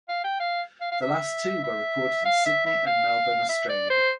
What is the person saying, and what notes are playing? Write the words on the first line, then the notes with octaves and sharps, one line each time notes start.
The last two were recorded in Sydney and Melbourne, Australia.
F5
G5
F5
F5
F5
E5
E5
F5
E5
E5
F5
E5
D5
C5